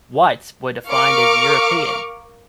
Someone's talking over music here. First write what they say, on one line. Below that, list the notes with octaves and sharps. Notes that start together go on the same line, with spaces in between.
"Whites" were defined as Europeans.
A#4 F5 C#6 D6 F6